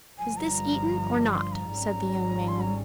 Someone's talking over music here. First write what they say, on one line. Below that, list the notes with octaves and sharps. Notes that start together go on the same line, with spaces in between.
"Is this eaten or not?" said the young man.
G1 G2 F3 G#5
A#5
C6
A#5
G#1 G#2 G3 C#4
C6
A#5